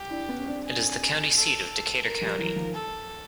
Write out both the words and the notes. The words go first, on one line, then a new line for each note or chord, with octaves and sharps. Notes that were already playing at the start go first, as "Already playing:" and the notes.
It is the county seat of Decatur County.
Already playing: G4
D4 E4
B3 C#4
C#4
C4 D4
G#4
A4
A#4
F3 G3
E3 F#3
D#3 F3
A4